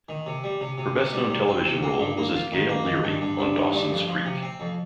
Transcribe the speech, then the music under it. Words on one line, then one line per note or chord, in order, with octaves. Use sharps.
Her best known television role was as Gail Leery on "Dawson's Creek".
D#3
C3
G3
C3
C3
C3
G3
C3
C4
C3
A#3
G2
A#3
F4
D#3
A#3
D#3
G2
G2
G2
D#3
G2
F2
F3
C3
C4
F2